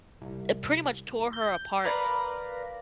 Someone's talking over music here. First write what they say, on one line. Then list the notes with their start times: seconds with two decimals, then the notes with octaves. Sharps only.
it pretty much tore her apart.
0.22 C2
1.33 G6
1.85 A#4 B4 D5 F5 B5 A#6